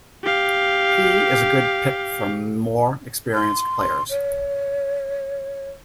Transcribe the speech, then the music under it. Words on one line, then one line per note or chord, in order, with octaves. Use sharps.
He is a good pick for more experienced players.
G4 F5
C6
C#5